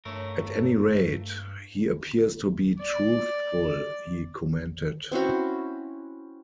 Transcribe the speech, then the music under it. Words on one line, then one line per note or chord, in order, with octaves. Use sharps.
"At any rate he appears to be truthful," he commented.
G2 A3 A#4 C#5 D#5 F5
D5
C4 C#4 E4 F#4